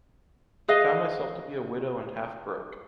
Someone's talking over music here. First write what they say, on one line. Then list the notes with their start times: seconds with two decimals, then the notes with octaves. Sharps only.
I found myself to be a widow and half broke.
0.68 G#4 B4 D#5 F5